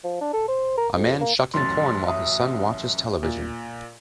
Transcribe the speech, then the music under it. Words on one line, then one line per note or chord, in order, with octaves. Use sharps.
A man shucking corn while his son watches television.
F3
D4
A4
C5
A#4
F2
A#3
A1 F#2 C6 A6
E5 D#6
A#2